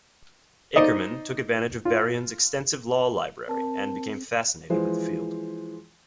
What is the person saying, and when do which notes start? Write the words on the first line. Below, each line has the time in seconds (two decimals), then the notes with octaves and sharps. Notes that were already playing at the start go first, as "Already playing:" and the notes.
Akerman took advantage of Berrien's extensive law library and became fascinated with the field.
0.76 D#4 C5 D5 D#5
1.85 F4
3.48 C4 A#4 A5
4.70 E3 F3 G#3 C5